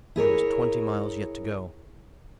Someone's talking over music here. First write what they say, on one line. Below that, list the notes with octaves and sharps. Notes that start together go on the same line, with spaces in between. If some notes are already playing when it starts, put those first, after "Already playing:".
There was twenty miles yet to go.
E4 G#4 A#4 C#5